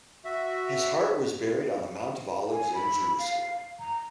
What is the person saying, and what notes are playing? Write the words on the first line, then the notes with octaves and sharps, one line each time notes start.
His heart was buried on the Mount of Olives in Jerusalem.
F#4 E5
G#5
B5
F5
A#5